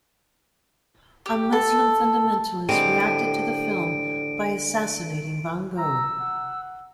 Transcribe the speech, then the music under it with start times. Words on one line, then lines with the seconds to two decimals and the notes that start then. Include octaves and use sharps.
A Muslim fundamentalist reacted to the film by assassinating Van Gogh.
1.26 G4
1.53 A4
2.69 A2 D3 G#3 C4 G4 D7 D#7
5.78 A#5 E6
6.20 F#5